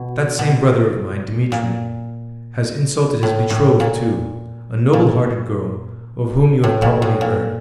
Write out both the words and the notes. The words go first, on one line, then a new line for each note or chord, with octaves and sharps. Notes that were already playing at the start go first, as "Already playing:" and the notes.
That same brother of mine, Dmitri, has insulted his betrothed, too, a noble-hearted girl of whom you have probably heard.
Already playing: B2
B2
A#2
A2
A2
A#2
A#2
A2
A#2
A2
A#2